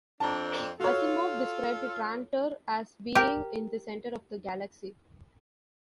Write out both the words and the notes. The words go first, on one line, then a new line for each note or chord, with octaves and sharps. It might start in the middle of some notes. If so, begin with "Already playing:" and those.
Asimov described Trantor as being in the centre of the galaxy.
F2 C4 D4 A5 A#5
F4 F#4 A4 C#5
G4 A#4